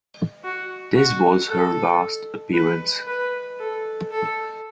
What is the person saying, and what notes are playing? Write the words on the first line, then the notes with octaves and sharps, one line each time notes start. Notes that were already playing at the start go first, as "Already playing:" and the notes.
This was her last appearance.
F#4
F#4
A4
B4
B4
A4
A4